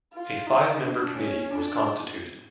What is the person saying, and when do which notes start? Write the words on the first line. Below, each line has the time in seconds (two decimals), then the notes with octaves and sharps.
A five-member committee was constituted.
0.13 F4
0.47 D#4
0.81 D4
1.16 C#4
1.50 D4